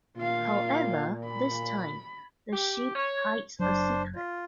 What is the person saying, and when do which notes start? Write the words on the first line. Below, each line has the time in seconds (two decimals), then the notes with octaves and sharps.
However, this time, the ship hides a secret...
0.17 A#2 F4 F5
1.26 B5
2.53 G4
2.95 C#5
3.59 F#1 F#3 D4 C5
4.16 F4